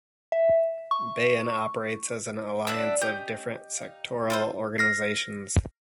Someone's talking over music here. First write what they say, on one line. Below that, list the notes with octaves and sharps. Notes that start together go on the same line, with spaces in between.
Bayan operates as an alliance of different sectoral organizations.
E5
C#6
D3 G3 A3 D4 E5 F#5
C#4 G4 D#5 G6
D#4 F5
F4 A4 C5
F6 A#6 C7